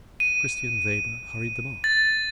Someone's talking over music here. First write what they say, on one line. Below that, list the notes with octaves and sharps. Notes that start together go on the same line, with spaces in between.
Christian Weber hurried them off.
D#7
A6